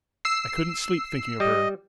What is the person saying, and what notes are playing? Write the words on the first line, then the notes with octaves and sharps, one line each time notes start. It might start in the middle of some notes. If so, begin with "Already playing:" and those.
I couldn't sleep thinking of her.
E6 C7
G3 D#5